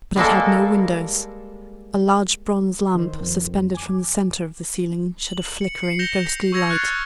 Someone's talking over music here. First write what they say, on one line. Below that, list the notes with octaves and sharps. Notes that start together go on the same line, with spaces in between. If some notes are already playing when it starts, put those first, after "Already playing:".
But it had no windows--a large bronze lamp, suspended from the centre of the ceiling, shed a flickering, ghostly light.
G3 G#3 A#3 A4
D#3 C5
F2
G#5 D6
F#7
C#7
C7 C#7
G6 A#6 E7 F7 G7
C#6 E6 G#6 A#6 C#7 F7
F6 F#6 A6 C7